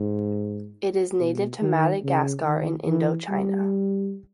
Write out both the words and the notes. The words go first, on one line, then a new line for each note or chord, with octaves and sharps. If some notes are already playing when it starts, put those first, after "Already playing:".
It is native to Madagascar and Indochina.
Already playing: G#2
B2
D#3
C#3
D#3
E3
G3